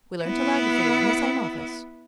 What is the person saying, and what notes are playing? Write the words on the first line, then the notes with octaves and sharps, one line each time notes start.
We learned telegraphy in the same office.
B3 E4